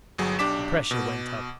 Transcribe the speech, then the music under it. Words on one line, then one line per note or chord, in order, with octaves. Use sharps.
The pressure went up.
G1 F#3 G#4
B1 D4 G4 D6 B6 E7
B2